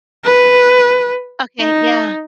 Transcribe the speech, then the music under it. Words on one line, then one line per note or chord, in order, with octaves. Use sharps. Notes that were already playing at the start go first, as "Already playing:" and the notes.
Okay, yeah.
B4
D#4